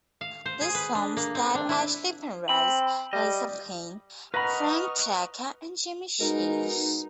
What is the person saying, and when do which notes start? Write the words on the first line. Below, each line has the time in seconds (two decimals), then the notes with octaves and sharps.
This film starred Ashley Penrose, Lisa Payne, Frank Tucker and Jamie Sheehy.
0.21 F5
0.46 C5
0.61 G#4
0.75 B4
0.95 D4
1.17 A#3
1.35 C4
1.55 D4
1.69 E4
2.49 C4 B5
3.13 G3 D#5
4.34 B4 D#5 F#5 A#5 B5 C#6 F6 A#6
6.20 B2 G#3 D#4 A#4